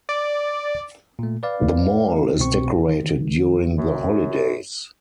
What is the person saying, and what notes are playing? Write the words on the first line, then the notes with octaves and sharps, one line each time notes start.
The mall is decorated during the holidays.
D5
A#2 A3
B4 D5 F5
C2 B2 C4 C#6
D#3
F#2